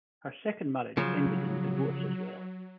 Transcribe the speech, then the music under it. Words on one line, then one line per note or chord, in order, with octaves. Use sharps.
Her second marriage ended in divorce as well.
C#3 F3 F#3